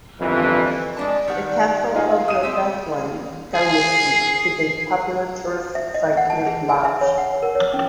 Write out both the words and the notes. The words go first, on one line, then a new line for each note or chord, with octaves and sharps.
The castle of the Bethlen dynasty is a popular tourist site near Blaj.
G1 F2 A#2 E3
G#3 D4 A5
D#3 G3 F#5
D#4 F4 G#4
F5 D#6 D#7
C4 G4 E5
G#4 C7
E5
D#5
F#5
A5
G#4
G#5
E5
C#5
F#5
A#4
C#5
C#4